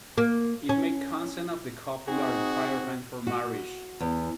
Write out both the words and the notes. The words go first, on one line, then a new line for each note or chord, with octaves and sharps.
It made consent of the couple a requirement for marriage.
A#3
C#4
C4 D#4 F#4 G#4
F#4
E2